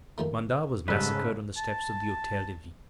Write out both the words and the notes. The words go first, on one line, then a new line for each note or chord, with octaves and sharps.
Mandat was massacred on the steps of the Hotel-de-Ville.
D#3 F3 A3
F2 G#2 C#3 G3 A4 B4
A5